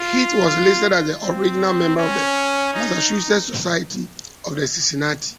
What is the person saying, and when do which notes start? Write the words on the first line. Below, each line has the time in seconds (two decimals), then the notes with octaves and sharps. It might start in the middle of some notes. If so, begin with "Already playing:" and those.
Heath was listed as an original member of the Massachusetts Society of the Cincinnati.
Already playing: F4
0.46 F4
1.22 C4
1.97 C#4
2.74 D#4